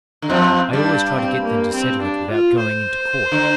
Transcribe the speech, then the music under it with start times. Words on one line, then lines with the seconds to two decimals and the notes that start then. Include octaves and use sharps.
I always try to get them to settle it without going into court.
0.22 D3
0.29 F2 F3 C4
0.73 G2 G3 D4
1.16 C4
1.45 A#3
1.74 C4
2.02 D4
2.31 F4
2.60 C5
3.32 D3